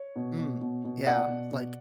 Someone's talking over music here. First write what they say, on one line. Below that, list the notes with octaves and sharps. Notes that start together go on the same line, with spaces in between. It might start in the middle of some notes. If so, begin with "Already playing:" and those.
Mm, yeah, like
Already playing: C#5
B2
B2
B2
B2
B2 D5 F#5
B2
B2